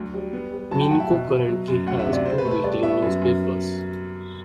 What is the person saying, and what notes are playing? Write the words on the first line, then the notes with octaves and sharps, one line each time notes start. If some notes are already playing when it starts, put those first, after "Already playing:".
Minco currently has two weekly newspapers.
Already playing: D2 F#3
G3
B3
G3
F#3 A5
G5
A2 F#5
E5
B2
B2
F#3
F#2
D2 F#5
E5
C3
D5
C4 C5
B4
A3
B4
G3 D5
B3 E5
F#2
F#2